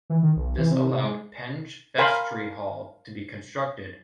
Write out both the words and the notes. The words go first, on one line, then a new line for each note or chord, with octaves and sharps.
This allowed Penge Vestry Hall to be constructed.
E3
D#3
B1
E3
C3
C3
G#3
A#4 F5 G5 G#5 B5 C6